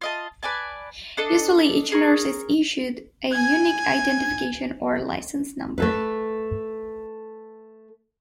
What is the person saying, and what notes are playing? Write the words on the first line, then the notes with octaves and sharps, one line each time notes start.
Usually each nurse is issued a unique identification or license number.
F4 D#5 A5
B4 D5 G#5 A5
D4 A4 D#5
G#4 A#4 C#6
G#5 G#6
A3 A4 B4